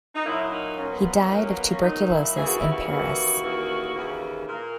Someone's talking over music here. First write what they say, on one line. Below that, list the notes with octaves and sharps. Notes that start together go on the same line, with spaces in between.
He died of tuberculosis in Paris.
D#4
A#2 F#3 A#3 E4
E4
D#4
A#2 F#3 A#3 C#4
B3
B3
C#4
A#2 F#3 A#3 D#4
C#4
B3
C#4
A#2 F#3 A#3 D#4
E4
D#2 C#3 E3 A#3 G#4
F#4
E4
F#4
D#2 C#3 E3 A#3
D#2 C#3 E3 A#3
D#2 C#3 E3 A#3
A#2 A#3 A#4